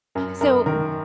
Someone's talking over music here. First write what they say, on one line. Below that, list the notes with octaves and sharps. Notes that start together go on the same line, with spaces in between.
So, w
F#2 A#4
F#2 A#4
D#3 A#4